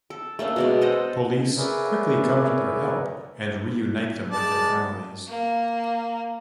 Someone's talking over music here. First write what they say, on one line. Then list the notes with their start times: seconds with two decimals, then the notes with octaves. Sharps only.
Police quickly come to their help and reunite them with their families.
0.10 A4
0.39 A3 A#3 C#4 D4
0.56 B2 G#3 D5
0.81 A4 C5 D#5 F#5
1.57 G#4 A#4 B4 C#5 D5 E5
4.31 G#3 D5 A5
5.28 A#3